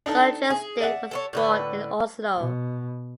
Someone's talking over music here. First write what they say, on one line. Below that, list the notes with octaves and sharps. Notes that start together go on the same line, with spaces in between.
Sejersted was born in Oslo.
D4 D#4 A4
G#4 G#5
D5 E5 F#5
A4 B4 C#5
A2 D3 B4
B2